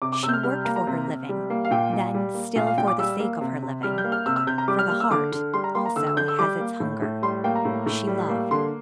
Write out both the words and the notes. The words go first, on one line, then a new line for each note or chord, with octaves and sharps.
She worked for her living; then, still for the sake of her living,--for the heart, also, has its hunger,--she loved.
C3 D6
D6
C3 E6
G6
F6
G3 F6
A#3 A#5
A#5
C3
C3
G3
A#3
F5
A#2 G5
A#2
G3
A#3
A#2 F5
F5
A#2 G5
D6
G3 E6
A#3
C3
C3
G3 F6
G6
A#3
F6
C3 E6
E6
C3 G6
A#5
G3 D6
F6
A#3 F6
E6
D3 D6
D3
G3 C6
A#5
A#3 C6
A#5
D3 E6
E6
D3 G6
E6
G3 D6
A#3
A2
A2
G3 C6
A#3 G5
A#5
A2
A2
G3
A#3
D3 C6